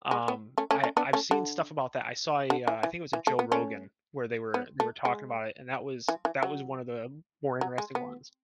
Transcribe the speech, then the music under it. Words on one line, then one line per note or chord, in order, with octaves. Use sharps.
um, I I've seen stuff about that. I saw a, uh, I think it was a Joe Rogan where they were they were talking about it, and that was that was one of the more interesting ones.
G#3
B3
A3 C#4
A3 C#4
A3 C#4
B3 D4
A3 C#4
D3
D3
E3
E3
E3
A3
B3
A3 C#4
B3
A3
G#3
E3
E3
F#3
F#3
G#3
B3